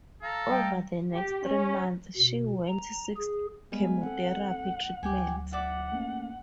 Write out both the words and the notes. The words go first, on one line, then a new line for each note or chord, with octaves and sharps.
Over the next three months she went six chemotherapy treatments.
A4 F5 A#5
G3 G5
G4
C#4
B2
A#5
G#4
G3 G#3 B3 B4 F5 G#5
C4 A4 F#5
D2 F#3 G4 G5 G#5
D5 E5 F#5 D6
A3 A#3 C#4